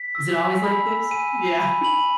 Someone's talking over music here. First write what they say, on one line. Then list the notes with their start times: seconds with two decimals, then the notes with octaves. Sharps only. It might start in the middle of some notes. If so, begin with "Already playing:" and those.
Is it always like this? Yeah.
Already playing: B6
0.15 E6
0.38 G#5
0.63 B5
0.87 E6
1.11 G#5 D#7
1.35 G#5
1.60 B5
1.83 B5 F#7